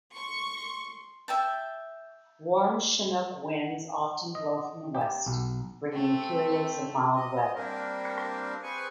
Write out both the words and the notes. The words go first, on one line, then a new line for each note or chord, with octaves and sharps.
Warm chinook winds often blow from the west, bringing periods of mild weather.
C6 C#6
E5 G5 A5
D#5
G4
B1
A3 C4
D#5
G3 A#3 C4 D4 A#4
C4 G#4 B4 G#5 C#6